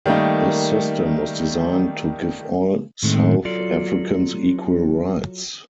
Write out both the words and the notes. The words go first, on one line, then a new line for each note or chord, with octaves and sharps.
This system was designed to give all South Africans equal rights.
D#3 G3 A3 A#3 D#4
A2 D#3 G#3 A3 C4
F#3 F4 A4 D5